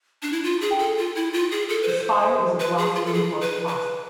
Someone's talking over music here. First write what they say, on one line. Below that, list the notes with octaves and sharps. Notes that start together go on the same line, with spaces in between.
The spire is of glass reinforced plastic.
D4
E4
F4
G#4
A4
F4
E4
F4
G#4
A4
B4
C5
B4
G#4
F4
A4
G#4
B4
B4